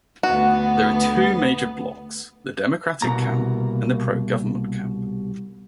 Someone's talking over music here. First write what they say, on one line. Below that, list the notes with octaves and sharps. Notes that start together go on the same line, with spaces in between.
There are two major blocs: the democratic camp and the pro-government camp.
D2 B3 F#4
C2 B2 A#3 A#5